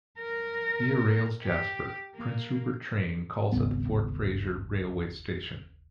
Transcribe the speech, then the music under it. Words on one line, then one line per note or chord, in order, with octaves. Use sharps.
Via Rail's Jasper - Prince Rupert train calls at the Fort Fraser railway station.
A#4
G4
A#3
D#1 G#1 C#2 B3